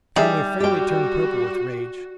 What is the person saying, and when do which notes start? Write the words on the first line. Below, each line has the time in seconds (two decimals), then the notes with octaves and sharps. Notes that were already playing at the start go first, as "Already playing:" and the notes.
Conway fairly turned purple with rage.
0.16 G3 D#4 G#4 E5
0.60 F#4 G4 G5